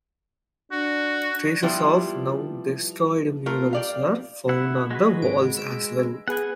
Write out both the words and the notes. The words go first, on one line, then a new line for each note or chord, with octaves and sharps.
Traces of now destroyed murals were found on the walls as well.
D4 F#4
F3 G3 B3 E4 F4 G4
A3 F4 A#4
G4 D5 F5
E4 F#5
G#3 F#4 B4
G#1 D7
E6 D7
B3 G#4 B4 F#5 G#5